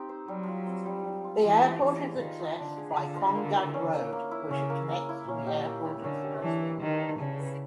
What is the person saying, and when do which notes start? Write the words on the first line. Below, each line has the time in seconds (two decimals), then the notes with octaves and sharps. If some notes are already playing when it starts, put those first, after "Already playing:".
The airport is accessed by Konggang Road, which connects to the Airport Expressway.
Already playing: C4 D#4 G4
0.09 C5
0.28 F#3 G3
0.48 F4
0.67 C4
0.86 G3
1.04 G3
1.24 F4
1.44 E3 C4
1.63 G3
1.82 E3 D4
2.01 G#4
2.20 D#3 F4
2.39 C5
2.59 D3 D4
2.77 G#4
2.96 D3 F4
3.16 C5
3.35 A#3
3.55 E4
3.74 C#4
3.94 A#3
4.13 A#3
4.31 E4
4.50 C#3 C#4
4.70 A#3
4.89 A#3
5.09 E4
5.27 A#2 C#4
5.47 G4
5.66 A#3
5.85 E4
6.04 D3 C#4
6.24 G4
6.43 E3 D4
6.62 B4
6.82 D#3 G4
7.00 D4
7.19 C#3 D4
7.40 B4